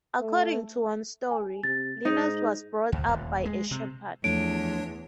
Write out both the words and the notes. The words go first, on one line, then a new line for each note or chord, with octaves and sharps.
According to one story, Linus was brought up by a shepherd.
A3
G#5
C3 A6
G#2 D#4
D2
D#1
G#3
C3
E2 F3 A3 D4 C#5 D7